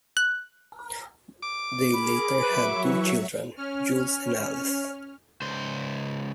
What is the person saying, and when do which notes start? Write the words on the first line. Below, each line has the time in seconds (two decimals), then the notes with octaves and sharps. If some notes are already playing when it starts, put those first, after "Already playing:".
They later had two children, Jules and Alice.
0.17 F#6
1.42 D6
1.93 G#4 A#4 B5
2.43 F#3 B4 E5 C#6
2.84 E3
3.56 C#4 F6
5.42 C#2 C5